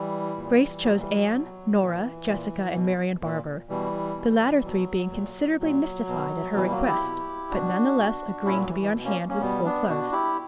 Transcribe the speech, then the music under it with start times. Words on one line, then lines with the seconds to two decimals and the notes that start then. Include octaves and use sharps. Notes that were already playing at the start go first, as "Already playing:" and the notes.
Grace chose Anne, Nora, Jessica and Marian Barber, the latter three being considerably mystified at her request, but nevertheless agreeing to be on hand when school closed.
Already playing: E3 G3
0.36 A#2
0.83 A#2 F#3
0.99 E3 G3
1.15 F#3
1.30 B2
1.79 A#2 E3
2.27 A#2
2.74 B2
3.22 A#2
3.69 B2 E3 G3
4.17 B2
4.64 B2 F#3
5.12 A#2
5.59 A#2 F#3
6.08 B2
6.55 B2 E3 G3
6.70 F#3 A#3
6.87 E4 G4
7.03 B2
7.51 B2 D4 F#4
7.99 B2
8.45 A#2 C#4 E4
8.57 F#3
8.69 E3
8.81 E3
8.94 B2
9.05 A#3 C#4
9.29 A#3 C#4
9.41 B2 G3 B3
9.65 B3 D4
9.89 B2 D4 F#4
10.12 E4 G4